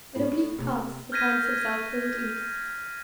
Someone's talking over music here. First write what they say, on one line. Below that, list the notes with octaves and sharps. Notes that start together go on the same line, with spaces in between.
In oblique paths he finds himself ill at ease.
A2
C3
F6 G6 G#6 A#6 B6 D#7